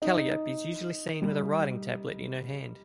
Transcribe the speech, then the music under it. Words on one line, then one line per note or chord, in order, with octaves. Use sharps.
Calliope is usually seen with a writing tablet in her hand.
D#4
G3